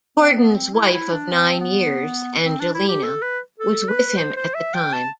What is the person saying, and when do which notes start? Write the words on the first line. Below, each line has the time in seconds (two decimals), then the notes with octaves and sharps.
Corden's wife of nine years, Angelina, was with him at the time.
0.17 C4
0.37 B3
0.55 C4
0.74 E4
0.94 E4
1.12 D4
1.32 C4
1.60 B3
2.45 C4
2.60 D4
2.74 E4
2.88 G4
3.03 A4
3.22 B4
3.60 A4
3.88 B4
4.16 C5
4.36 C5
4.54 E5
4.74 G5
4.93 A5